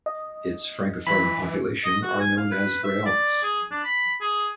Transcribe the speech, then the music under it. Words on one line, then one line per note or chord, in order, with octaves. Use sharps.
Its Francophone population are known as Brayons.
D#5
E3 B5
D#5
F#4
G#5
F5
B4
E5
D5
G#4
D4
B5
G#4